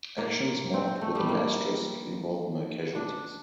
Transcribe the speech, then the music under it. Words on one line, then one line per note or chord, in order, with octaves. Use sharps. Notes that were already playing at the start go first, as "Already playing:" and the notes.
Actions marked with an asterisk involved no casualties.
A#3
C4
C4
A3
G3
A#3
D4